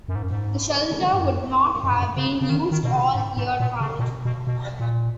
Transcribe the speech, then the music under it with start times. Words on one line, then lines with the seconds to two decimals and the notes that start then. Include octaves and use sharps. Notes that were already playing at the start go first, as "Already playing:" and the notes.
The shelter would not have been used all year round.
0.08 F#2
0.15 G#2
0.23 F#2
0.31 G#2
1.14 G#2
1.19 F#2
1.84 F#2
1.91 G#2
1.98 F#2
2.17 C#3
2.41 C#3
2.50 D#3
2.71 D#3
2.83 B2
2.93 C#3
3.15 G#2
3.37 G#2
3.60 A#2
3.81 C#3
3.99 A#2
4.02 B2
4.25 B2
4.47 B2
4.80 A#2